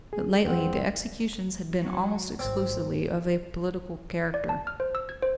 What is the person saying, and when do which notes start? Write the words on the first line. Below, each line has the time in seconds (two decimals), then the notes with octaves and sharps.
But lately the executions had been almost exclusively of a political character.
0.13 G#4
0.45 F2 C4 F#5
1.80 F#3
2.39 G#1 C4
4.34 D5
4.49 A5
4.67 F6
4.80 C5
4.95 E6
5.09 G#6
5.22 C5